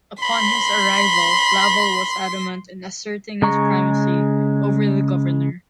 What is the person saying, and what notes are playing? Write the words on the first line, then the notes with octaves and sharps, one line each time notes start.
Upon his arrival, Laval was adamant in asserting his primacy over the governor.
B5 C6 B6
C#3 G#3 A#5 C#6